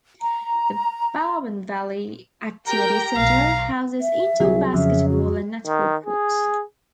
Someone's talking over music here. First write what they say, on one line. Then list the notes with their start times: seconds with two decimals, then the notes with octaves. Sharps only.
The Barwon Valley Activity Centre houses indoor basketball and netball courts.
0.21 A#5
2.67 G4 A#4 G5 A#5
3.17 B1 F5
4.01 E5
4.40 C2 F#3 G#4
4.74 F2 C#3 E5
5.09 F#4
5.67 D#3
6.06 G#4